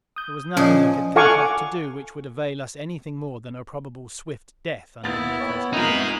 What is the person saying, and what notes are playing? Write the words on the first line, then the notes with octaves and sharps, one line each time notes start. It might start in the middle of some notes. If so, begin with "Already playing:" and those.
There was nothing I could think of to do which would avail us anything more than a probable swift death under Miko's anger.
D#6 G6
A#2 F3 C#4 G#4 D#5
A4 F5 F#5 G#5 C#6 D6
D#2 B3 E4 D#6 A6
C#5 G5 B5
F2 F3 A#3 D#4 E4 G#4 B5